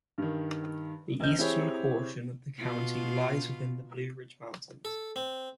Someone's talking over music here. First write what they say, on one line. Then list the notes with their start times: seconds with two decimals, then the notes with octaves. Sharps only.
The eastern portion of the county lies within the Blue Ridge Mountains.
0.18 G2 D#3
1.20 E1 D#5 G6
1.39 C4 E4 G4 G#4 C#5
2.58 B2 F4
4.85 A4
5.16 C4